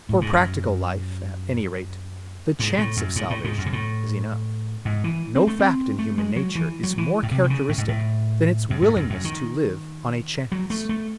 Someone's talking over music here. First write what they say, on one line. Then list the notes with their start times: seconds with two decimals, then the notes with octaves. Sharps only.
For practical life at any rate, the CHANCE of salvation is enough. No fact in human nature is more characteristic than its willingness to live on a chance.
0.09 A2
0.21 G#2
0.33 F#2
2.59 G#2
2.78 A2
2.97 F#2
3.16 G#2
3.30 A2
3.44 G#2
3.58 F#2
3.66 C3
3.73 A2
4.85 G#2
5.04 E3
5.36 C4
5.47 A3
5.59 C4
5.99 A3
6.18 G#3
6.36 F#3
6.55 E3
6.83 F#3
6.98 E3
7.23 A2
7.31 C3
7.44 D#3
7.50 C#3
7.69 A2
7.78 G#2
7.88 A2
8.70 F#2
8.82 G#2
8.96 F#2
9.10 F#2
9.25 D#3
10.52 F#3
10.70 A3
10.89 A3